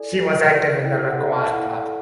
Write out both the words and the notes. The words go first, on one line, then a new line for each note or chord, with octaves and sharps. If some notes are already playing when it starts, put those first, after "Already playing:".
She was active in the local art club.
Already playing: E4 A4 D5 G#5
E4
A4 D5
E4 G5
G5
F#5
A4 D5
F5
F5
E4 F#5
A4